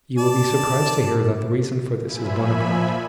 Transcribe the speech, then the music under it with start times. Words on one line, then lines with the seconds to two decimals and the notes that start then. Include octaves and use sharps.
You will be surprised to hear that the reason for this is Buonaparte!
0.18 D5 A5
2.04 A#2 F3 E5 G#5 B5